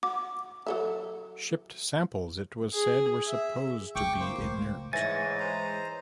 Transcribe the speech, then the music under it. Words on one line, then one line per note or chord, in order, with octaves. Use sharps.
Shipped samples, it was said, were supposed to be inert.
F#4 D6
F#3 A4 E5
G#4
E5
C#2 G5 C#6 D6
A#3 C5
C#2 A2
G#2 E3 G#3 C#5 G#5 A6 A#6
C5 A#5